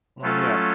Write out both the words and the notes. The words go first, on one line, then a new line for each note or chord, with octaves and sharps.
Well, yeah.
F#3 A3 C#4 F4 A4